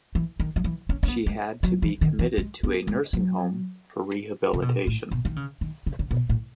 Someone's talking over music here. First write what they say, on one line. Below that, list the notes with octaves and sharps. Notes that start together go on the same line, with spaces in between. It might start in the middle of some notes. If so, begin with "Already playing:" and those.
She had to be committed to a nursing home for rehabilitation.
E3
D#3
F#3
E3
C#4
C#4
B3
G#3
F#3
E3
D#3
E3
G#3
B3
G#3
F#3
C#3
B2
A2
B2
D#3
C#3
D#3
C#3
C#3
B2
A2